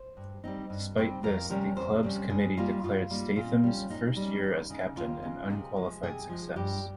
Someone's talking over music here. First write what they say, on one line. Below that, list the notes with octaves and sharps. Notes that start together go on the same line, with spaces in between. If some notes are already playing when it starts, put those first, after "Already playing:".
Despite this, the club's committee declared Statham's first year as captain "an unqualified success".
Already playing: C5
G2
G3 C4 D#4
G2
G3 C4 D#4
F2 A#4
C3 G3 C#4 A#4
F2 C5
C3 G3 C#4
G2 G#4
G3 A#3 D#4 F4
G2 F4
G3 A#3 D#4
A#2 F4
G3 C#4
A#2 D#4
G3 C#4
D#2
C#3 G#3 D#4
D#2 F4
C#3 G#3 D#4
C3 G#4
F3 G#3
C3 G#4
F3 G#3
G2 G4